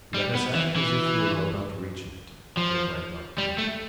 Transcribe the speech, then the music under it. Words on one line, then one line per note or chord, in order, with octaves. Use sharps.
"Let us act as if we were about reaching it," replied Barbicane.
G3
B3
E3
E3
F3
G3
A3